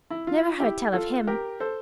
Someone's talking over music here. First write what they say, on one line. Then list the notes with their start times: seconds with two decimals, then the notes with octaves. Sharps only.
"Never heard tell of him!"
0.11 E4
0.27 F4
0.60 E4 G4
0.93 F4 A4
1.27 G4 A#4
1.60 A4 C5